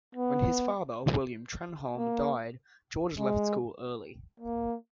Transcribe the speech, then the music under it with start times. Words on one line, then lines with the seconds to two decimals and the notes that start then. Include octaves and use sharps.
When his father, William Trenholm, died, George left school early.
0.15 B3
1.97 A#3
3.19 G#3
4.40 A#3